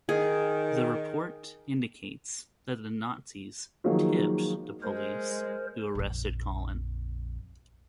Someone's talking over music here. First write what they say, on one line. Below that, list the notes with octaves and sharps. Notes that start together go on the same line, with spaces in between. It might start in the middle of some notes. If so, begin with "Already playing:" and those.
The report indicates that the Nazis "tipped" the police who arrested Collin.
D#3 G#4
D#3 F3 F#3 G#3 A#3 D#4
G#3 A#4 C5
A#1 F2